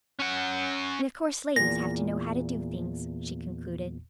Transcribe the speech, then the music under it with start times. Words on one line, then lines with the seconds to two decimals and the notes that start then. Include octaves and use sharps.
"And of course ladies have to know how to do things," she concluded.
0.20 C#4 F#5
1.56 E2 A#2 A#6